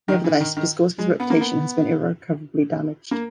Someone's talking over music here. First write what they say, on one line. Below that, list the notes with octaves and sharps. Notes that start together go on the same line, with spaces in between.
Nevertheless, Piskorski's reputation has been irrecoverably damaged.
D#3
E3
D#3
D#3
G#3
B3
A#3
B3
A#3